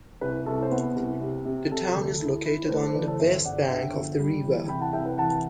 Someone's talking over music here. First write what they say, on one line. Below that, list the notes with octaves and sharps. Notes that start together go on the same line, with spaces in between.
The town is located on the West Bank of the river.
C2 B4
C2 A4
C5
B3 B4
C2
C3
C3
C3 A4
D2
E4
E4
C5
A3 B4
A4 C5
E3 B4 D5
A4 C5
G1 C5 E5
G1 D5 F#5
D3 E5 G5
G1
G3
E3
C2 G5 B5
F#5 A5
C2 E5 G5
B4
E3 F#5 A5